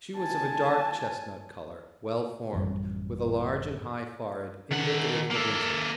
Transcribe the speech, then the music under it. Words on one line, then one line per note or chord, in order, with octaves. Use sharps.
She was of a dark chestnut color, well-formed, with a large and high forehead, indicative of intellect.
G#5 A5
A1 F#2 G3
D#3 F#5
A#3 A4